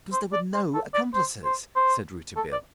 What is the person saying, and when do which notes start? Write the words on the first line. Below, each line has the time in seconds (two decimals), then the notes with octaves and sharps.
"Because there were no accomplices!" said Rouletabille.
0.13 C5
0.33 D5
0.53 C5
0.74 A4
0.94 D5
1.14 C5
1.45 C5
1.76 C5
2.37 A4
2.52 D5